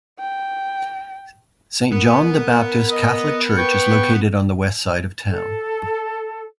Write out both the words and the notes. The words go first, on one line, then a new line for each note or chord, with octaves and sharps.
Saint John the Baptist Catholic Church is located on the west side of town.
G5
B3 A#4
D#5
B4 G5 C#6
A4